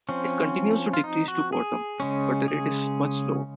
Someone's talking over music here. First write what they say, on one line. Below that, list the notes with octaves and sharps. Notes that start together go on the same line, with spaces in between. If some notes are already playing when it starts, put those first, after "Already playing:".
It continues to decrease to the bottom, but the rate is much slower.
F3 C4 C#4
F4
D#4
F#4
G#4
C#3 G#3 C#4
G#4